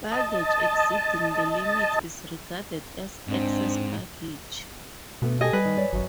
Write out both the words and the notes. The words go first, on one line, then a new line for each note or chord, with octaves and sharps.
Baggage exceeding the limits is regarded as "excess baggage".
D#5 A5
G#2 C4 D4
B2 D3 A3 B3
G4 A4 D#5 G#5
G3 B4
D#3
C#5 D5
G#1 F#2 F#3